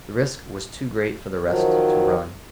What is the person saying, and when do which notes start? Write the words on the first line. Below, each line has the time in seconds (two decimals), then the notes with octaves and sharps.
The risk was too great for the rest to run.
1.45 D#3 F3 F#3